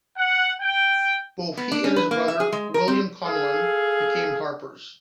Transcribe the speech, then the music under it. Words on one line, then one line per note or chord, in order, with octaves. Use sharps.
Both he and his brother, William Connellan became harpers.
F#5
G5
B3
D4
C#4
B4
A#3
E5
G#4
G#3
A#4
C4
G#4 A4 F5